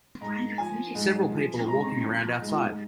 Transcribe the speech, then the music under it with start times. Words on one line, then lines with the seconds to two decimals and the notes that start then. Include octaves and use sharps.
Several people are walking around outside.
0.21 G#2 A#5
0.58 F3 G#5
0.95 G#2
1.31 F3
1.67 G#2 A#5
2.04 F3
2.41 G#2